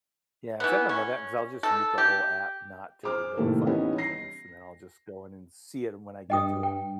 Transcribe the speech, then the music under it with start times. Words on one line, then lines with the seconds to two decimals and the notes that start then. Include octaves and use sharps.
Yeah. 'Cause I don't know that 'cause I'll just mute the whole app not to notify me on things, and then I'll just go in and see it when I get to it.
0.60 E3 B3
0.89 C#4
1.63 A4
1.98 G4
3.03 G#4 C5 D6 F6
3.37 A2 C3 D#3 G3 A3 A#3
3.67 E3 G3 B3 C#4 D#4 E4
3.98 A#6 C7
6.30 G2 D#5 G5 D#6
6.63 G5